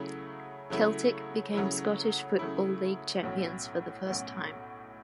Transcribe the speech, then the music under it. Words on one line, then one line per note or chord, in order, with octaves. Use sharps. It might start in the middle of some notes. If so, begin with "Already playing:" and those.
Celtic became Scottish Football League champions for the first time.
Already playing: C#3 F#3 A3 E4
C#3 F#3 A3 E4
C#3 F#3 A3 E4
C#3 F#3 A3 E4
B1 A2 F#3 C#4 F#4
B1 A2 F#3 C#4 F#4